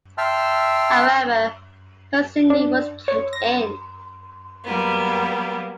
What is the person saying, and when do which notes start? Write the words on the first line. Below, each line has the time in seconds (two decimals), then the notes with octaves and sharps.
However, her singing was kept in.
0.18 E5 G5 A5 C6 E6 F6
2.50 D4
3.08 C#5
3.33 A#6
4.64 F#3 G3 A#3 B3